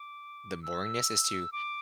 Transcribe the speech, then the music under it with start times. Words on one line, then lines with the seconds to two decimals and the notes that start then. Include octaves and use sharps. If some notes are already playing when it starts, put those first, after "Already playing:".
the boringness is to
Already playing: D6
0.63 E6
1.52 D6